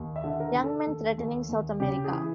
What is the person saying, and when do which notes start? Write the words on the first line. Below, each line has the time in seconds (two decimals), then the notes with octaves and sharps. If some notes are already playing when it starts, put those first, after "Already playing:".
Young men threatening South America!
Already playing: D#2
0.16 E5
0.24 D3
0.40 A#4
0.55 D3
0.64 A4
0.87 D#2
1.18 D#2
1.49 D#2
1.80 C#3 G4
2.04 G#4
2.11 E3